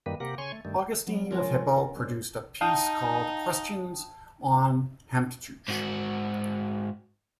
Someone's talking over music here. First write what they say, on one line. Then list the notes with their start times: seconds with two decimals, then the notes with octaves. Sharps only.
Augustine of Hippo produced a piece called "Questions on the Heptateuch".
0.06 F#2 D#3 G3 A#3 B4
0.20 C3 A#3 G4 A#4 F#5
0.38 C#3 C#5 G#5 C6 C#6
0.52 A3
0.65 G2 D#3 G3 A3
1.07 F#3 B3 C#5
1.31 F3 G#3 C#4 F4 A#4
1.65 D#3
1.95 C4 D4 G#4
2.61 D#4 F5 G5 A5 D#6
5.68 G#2 F#4